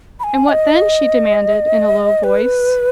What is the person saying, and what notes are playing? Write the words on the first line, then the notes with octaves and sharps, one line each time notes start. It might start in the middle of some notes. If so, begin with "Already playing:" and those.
"And what then?" she demanded, in a low voice.
B5
G#5
D#5
B4